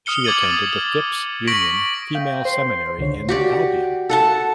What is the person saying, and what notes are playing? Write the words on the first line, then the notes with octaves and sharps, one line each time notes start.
She attended the Phipps Union Female Seminary in Albion.
D#6 F6 C#7 G7
D6 G#6 A6 D#7 F#7
D#6
C#6 A#6 B6 D7 F#7
F5 G5
C5 C6
C#2 D3 C#5
F#4 G4 D5
A4 F#5 A5